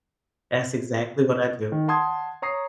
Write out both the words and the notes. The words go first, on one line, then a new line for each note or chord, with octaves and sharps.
That's exactly what I do.
D#3
F#5 A5 C6 D#6 G#6
C#5 A#5 D#6 C7